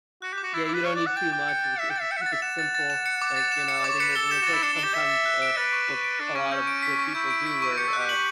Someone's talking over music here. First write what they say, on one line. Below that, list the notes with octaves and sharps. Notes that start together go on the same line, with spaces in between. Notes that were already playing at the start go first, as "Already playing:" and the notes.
Yeah, you don't need too much if you kee if you keep it simple. Like, you know, I think that that's, like, sometimes, uh, what a lot of the people do where, uh,
F#4 F#6
G4 D6
F#4
E4 A6
E4 D6
B4
C#5 F#6
D5
D6
F#5
G5 A6
G5 D6
C#7
A6
E5 E7
G5
E5 A6
G5 C#7
E5
F#5 A6
E5
F#5 E7
A6
A6
E7
C#7
D6
A6
E7
C#7
D5
D6
C#5
B4 C#7
A4 G7
G4 E7
F#4
A6
E4
D4 C#7
D4
G4 G7
E5 E7
A6
F#6
D7
B4 A6
C#6
F#6
D7
D4 A6
C#4 C#6
C#4 G6
D7
B6
C#6
E4 G6
D7
B6
C#6
G4 C#7
A4
G4 F#6
F#7